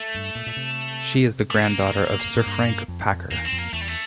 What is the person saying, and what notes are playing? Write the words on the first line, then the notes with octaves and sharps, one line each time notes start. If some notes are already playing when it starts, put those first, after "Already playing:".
She is the granddaughter of Sir Frank Packer.
Already playing: A3
G2
A#2
A#2
C3
A3
A#3
A2
G2
F2
G2
F2
E2 A#3
C4
F2
A#3
E2 A3
G3
A3